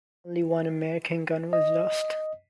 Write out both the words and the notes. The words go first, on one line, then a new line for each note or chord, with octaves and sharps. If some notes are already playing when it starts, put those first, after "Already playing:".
Only one American gun was lost.
D#5